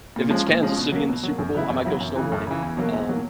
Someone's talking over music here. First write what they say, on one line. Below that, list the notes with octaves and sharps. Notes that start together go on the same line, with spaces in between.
if it's Kansas City in the Super Bowl, I might go snowboarding. Um,
A#2
F3 G#3 C#4
A#2
F3 G#3 C#4
B2
F#3 A#3
B2
F#3 A#3
F#2
C#3 F#3 B3 E4
F#2
C#3 F#3 B3 E4
F#2
C#3 E3
F#2
C#3 E3
E2
B2 F#3 A#3
E2
B2 F#3 A#3